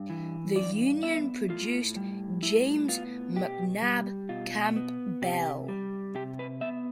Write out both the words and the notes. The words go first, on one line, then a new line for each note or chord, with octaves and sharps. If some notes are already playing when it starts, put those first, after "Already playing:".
The union produced James Macnabb Campbell.
Already playing: G2
E3
G2 D5
B3 E5
A2 F4
G3
A2 E4
B3 F4
B2 G4
G3
B2 F4
B3
C3 G4
G3
C3 G4
B4
B3 E5